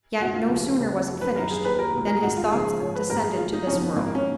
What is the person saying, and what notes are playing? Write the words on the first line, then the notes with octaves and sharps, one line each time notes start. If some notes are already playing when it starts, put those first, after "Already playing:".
Yet, no sooner was it finished, than his thoughts descended to this world.
C#2 B2 F#4
F4
D#2 C#3 F3
D#2 C#3 F3
F#2 F3
B4
F#2 D#3 A#4
G#4
D#2 D#3 B4
A#4
C#2 B2
A#4
G#4
G#2 D#3 F#4
F4
C#2 C#3 F3 G#4
G#2 F3 C#5
B4
G#2 D#3 A#4
G#4
G#2 D#3 F4
D#4
F2 C#3 F3 C#4
B3
G#2 D#3 A#3
A#3
C#4